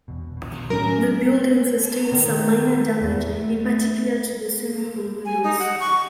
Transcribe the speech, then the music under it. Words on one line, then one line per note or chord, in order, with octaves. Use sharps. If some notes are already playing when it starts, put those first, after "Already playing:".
The building sustained some minor damage, in particular to the swimming pool windows.
E2 B2
B1 B2
A2 D#3 F#3 C#4 A#4
D#3
E2
A3
G#5
D#4
F#5
C#6